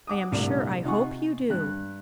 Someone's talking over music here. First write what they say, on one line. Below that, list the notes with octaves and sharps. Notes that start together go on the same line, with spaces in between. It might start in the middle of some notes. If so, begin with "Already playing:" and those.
I am sure I hope you do.
F#5 D6 D#6
C2 A#2 D3 A3
C3 D#4 F4 F#5 G#5 C#6
G2 F#6